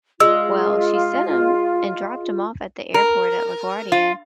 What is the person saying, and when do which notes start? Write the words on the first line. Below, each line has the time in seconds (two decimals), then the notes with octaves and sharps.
Well, she sent him and dropped him off at the airport at LaGuardia,
0.20 G#3 F4 E6
2.94 A#4
3.92 F4